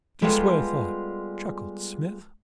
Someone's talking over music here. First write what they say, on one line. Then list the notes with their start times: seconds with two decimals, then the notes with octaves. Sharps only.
"Just what I thought!" chuckled Smith.
0.22 G3 G#3 B3 F4 A4